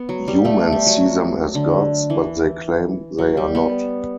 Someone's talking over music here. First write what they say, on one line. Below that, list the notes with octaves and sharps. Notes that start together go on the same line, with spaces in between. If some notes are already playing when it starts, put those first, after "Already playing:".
Humans see them as gods, but they claim they are not.
Already playing: B3
F#3
G3
A3
G3
F#3
D3
E3
F#3
G3
B3